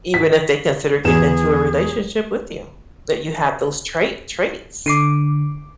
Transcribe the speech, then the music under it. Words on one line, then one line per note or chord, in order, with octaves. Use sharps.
even if they consider getting into a relationship with you, that you have those trait traits.
B6
E2 B3 G#4 E7
D3 D6 C7 D#7